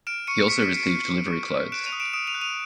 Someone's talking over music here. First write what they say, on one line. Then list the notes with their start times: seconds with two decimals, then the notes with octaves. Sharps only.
He also received livery clothes.
0.07 F6 D7 E7
0.27 C#6 C#7 D#7
0.48 C#6 B6 C#7
0.62 B6 C#7
0.68 F6
0.76 C7 D7
0.89 F6 C#7 D#7
1.10 C#6
1.31 C#6
1.51 F6
1.72 F#6 D7 E7
1.86 D#7 F7
1.92 D#6
2.00 D7 E7
2.13 D#6 D7 E7
2.27 D#7 F7
2.35 F#6
2.41 D#7 F7